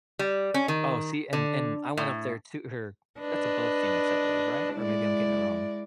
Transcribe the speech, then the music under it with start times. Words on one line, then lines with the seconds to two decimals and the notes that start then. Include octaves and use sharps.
Oh, see, and and I went up there to her that's above Phoenix, I believe, right? Or maybe I'm getting it wrong.
0.19 G3
0.54 C#4
0.68 D#3
1.33 D3
1.97 A2
3.20 D4 B4 D#5
4.74 G#3 E4 D5